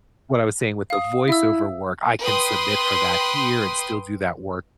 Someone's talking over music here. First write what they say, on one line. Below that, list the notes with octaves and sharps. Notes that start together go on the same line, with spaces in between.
what I was saying with the voice over work, I can submit for that here, and still do that work
F5 D#6
E4 E5 E6
B4 G5 C6 D#6